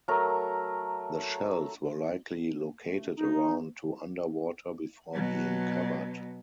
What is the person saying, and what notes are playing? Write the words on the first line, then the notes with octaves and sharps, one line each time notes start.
The shells were likely located around to underwater before being covered.
F#3 A3 A#4 A#5
A3
D#4
B2 F#3